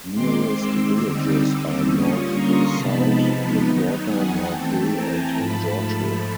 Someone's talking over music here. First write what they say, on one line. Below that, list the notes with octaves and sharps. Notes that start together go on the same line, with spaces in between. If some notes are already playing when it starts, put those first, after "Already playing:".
Nearest villages are North Side, The Quarter, North Hill and George Hill.
D#3 G#3 C4 C6 D6
D6 E6
D3 G3 C4 D#4 D6 E6
D3 G3 A#3 C#4 F4 C#6 D#6
A#5 C6
C3 F3 G#3 B3 D#4 A5 B5
D#3 F#3 B3 D#4
F#5 G#5
E3 A3 C4 G5 A5
G#5 A#5
G#2 F3 A3 A5 B5